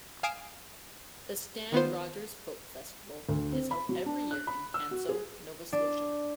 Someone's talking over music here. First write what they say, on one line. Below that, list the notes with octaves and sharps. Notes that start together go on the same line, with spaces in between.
The Stan Rogers Folk Festival is held every year in Canso, Nova Scotia.
F5 G#5 D#6 C7 D7 E7
D#3 B3 F4 C5
D2
C4
B5
F#3
D4
F#6
B5
E6
F#4
G#4
D4